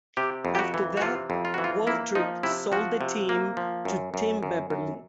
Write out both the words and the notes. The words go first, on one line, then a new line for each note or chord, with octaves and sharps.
After that, Waltrip sold the team to Tim Beverly.
C3 G4
F2
G4
F#4
E3
F#4
C3 F4
F2
F4
E3 F#4
F4
A#3 E4
F3 D#4
C3 E4
F3 F#4
C3
A#3
F3
F#2
F#2
F#2
F#2